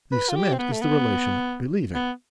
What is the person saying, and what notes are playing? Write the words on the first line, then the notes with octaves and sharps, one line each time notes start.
The cement is the relation 'believing'.
B4
F4
G4
C4
B3
A3
B3
B3